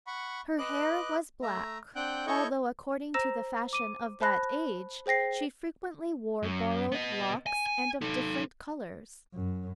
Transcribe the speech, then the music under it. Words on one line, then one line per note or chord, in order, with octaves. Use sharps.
Her hair was black, although, according to the fashion of that age, she frequently wore borrowed locks, and of different colours.
F#5 B5 C#6
B4 D#5 D6 F#6
A3 E5 A#5
C4 D4 F#5 G5 F#6 G6
E4 A4 C#5 D#5 C#6 G6
C5 A#5 E6 A#6 E7
D6 D#7
C5 A5 B5 F#6 A#6
G#4 C5 G5 A#6 C7
F#2
B3 D#5
G#5
G#5
D#4 A4
F#2